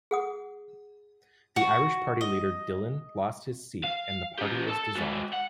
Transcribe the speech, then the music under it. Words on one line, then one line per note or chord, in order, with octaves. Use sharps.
The Irish Party leader Dillon lost his seat and the party was dissolved.
G#4 F#5 D#6
F#4
D#5
F5
C#4 G4
A4 A5
G#3 F#4
F#5